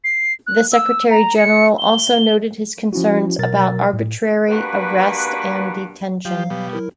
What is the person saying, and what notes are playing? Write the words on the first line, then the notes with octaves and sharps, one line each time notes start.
The Secretary-General also noted his concerns about arbitrary arrest and detention.
C7
F#6
E6
A#5
C#7
G7
F3 C#4 E4 F#4
B2 F#3 A#4 A6
A2
G2 A#3 F#4 B4
F3 F#3 G4 F5
B2 G3
F#3 E4 A#4